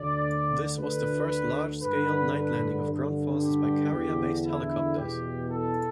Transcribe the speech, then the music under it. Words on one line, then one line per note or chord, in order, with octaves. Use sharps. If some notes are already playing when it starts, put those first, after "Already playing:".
This was the first large-scale night landing of ground forces by carrier-based helicopters.
Already playing: D2 D3 D5
D2 D3 B4
G2 D3 B4
B4
G2 D3
G4
E2 D3
E4
E2 B2 G4
A4